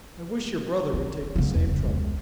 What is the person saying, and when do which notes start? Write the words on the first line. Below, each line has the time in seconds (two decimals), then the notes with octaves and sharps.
I wish your brother would take the same trouble.
0.93 F4
1.36 C#3 B3
1.56 E2
1.85 C#2